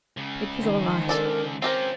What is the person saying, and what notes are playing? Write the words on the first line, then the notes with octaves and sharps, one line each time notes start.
"It was all right."
C#2 C#3
D#3 C5
D4 A4 A#4 D5
C4 C#4 F4 G4 A#4 C5